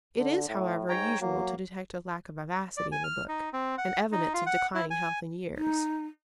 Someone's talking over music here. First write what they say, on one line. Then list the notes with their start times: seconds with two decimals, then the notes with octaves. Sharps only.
It is, however, usual to detect a lack of vivacity in the book, an evidence of declining health and years.
0.18 D3
0.49 A2
0.89 G#2 C#5 G5 A#5
1.21 F#3 A#3
2.77 D5
2.92 G#5
3.04 F6
3.28 D#4
3.53 C4
3.78 F#5
4.12 D#4
4.34 F4
4.47 F#5
4.75 E4
4.90 G#5
5.57 D#4